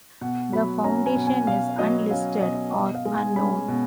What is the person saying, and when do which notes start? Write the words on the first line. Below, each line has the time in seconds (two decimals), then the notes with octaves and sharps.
The foundation is unlisted or unknown.
0.21 B2 F#5
0.52 F#3 B5
0.84 C#4 A#5
1.06 G#5
1.16 B2
1.27 G#5
1.47 B2 F5
1.79 F#3 D#5
2.11 C#4 F5
2.42 B2 D#5
2.73 B2 D#5
2.95 F5
3.05 G#3
3.15 G#5
3.36 C#4 B5
3.68 B2